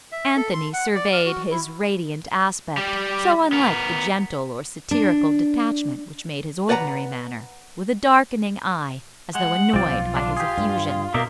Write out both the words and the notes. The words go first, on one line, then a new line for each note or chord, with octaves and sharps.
Anthony surveyed his radiant aspect--so unlike the gentle or satirical detachment which made his ordinary manner--with a darkening eye, as though annoyed by his effusion.
E5
A4
C6
F#5
D5
F6
F#4
E4
G3 G4
B3 A#4
D4
B4 D5 F#5 G#5 A#5
G#3 F#5
B1 F3 C4 F4 D5
D3 D4
G4 G#4
G2
B2 A#3 D#4 D5 E5